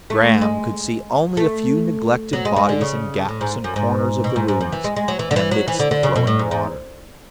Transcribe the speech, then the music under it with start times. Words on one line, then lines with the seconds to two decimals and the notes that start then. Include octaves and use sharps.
Graham could see only a few neglected bodies in gaps and corners of the ruins, and amidst the flowing water.
0.10 A3
0.42 G#3
1.37 A3
2.33 F#3
2.45 G#3
2.56 G#3
2.69 D3
2.81 C#3
3.28 A2
3.41 G#2
3.64 F#2
3.76 G#2
4.24 B2
4.36 G#2
4.48 G#2
4.61 F#2
4.72 E3
4.84 G#3
4.96 G#3
5.08 F#3
5.19 E3
5.31 D3
5.36 E3
5.51 F#3
5.68 E3
5.79 D3
5.91 D3
6.03 C#3
6.16 B2
6.27 A2
6.39 G#2
6.51 G#2